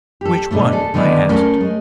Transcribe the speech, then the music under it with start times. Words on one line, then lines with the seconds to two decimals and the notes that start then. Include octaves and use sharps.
"Which one?" I asked.
0.21 G4 A4
0.51 G#2 B2 D3 A3
0.72 G#4 A4
0.94 D3 D#3 G#3 B3 E4
1.29 A3 C#4 A#4
1.61 G#3